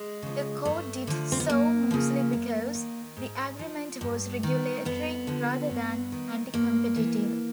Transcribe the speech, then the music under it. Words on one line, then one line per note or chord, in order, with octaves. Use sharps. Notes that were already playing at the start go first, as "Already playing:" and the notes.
The Court did so mostly because the agreement was regulatory rather than anticompetitive.
Already playing: G#3
C#3 F3
G2 A3
D3 F3
C4
B3
F#2 A#3
C#3 F3
F#2
D#3
G#2
F3
G2
D#3
F2 B3
D3 F3
G2
D#3
G2 A#3
E3